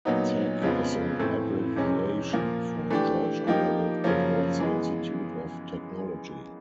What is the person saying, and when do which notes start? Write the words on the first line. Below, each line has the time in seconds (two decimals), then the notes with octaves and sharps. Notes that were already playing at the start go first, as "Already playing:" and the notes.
Tech is an abbreviation for "George Underwood Edwards Institute of Technology".
0.05 A#2 F#3 B3 D#4
0.62 F2 C#3 F3 G#3 B3
1.19 A2 E3 A3 C4 E4
1.76 F2 C3 E3 G#3 C#4
2.33 A#2 F3 A#3
2.90 E3 A3 D4 G4
3.47 F3 A#3 D#4 G4
4.04 F#2 C#3 F3 A#3 C#4
4.60 E3 G#3 B3